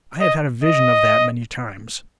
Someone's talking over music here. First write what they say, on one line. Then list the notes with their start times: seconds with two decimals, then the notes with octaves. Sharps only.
I have had a vision of that many times.
0.21 D#5
0.64 D#5